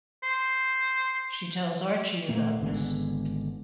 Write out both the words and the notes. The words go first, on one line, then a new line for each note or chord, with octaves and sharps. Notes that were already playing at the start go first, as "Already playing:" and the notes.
She tells Archie about this.
C5
E1 A#2 A3 A#3
G#1 D3 G#3 B3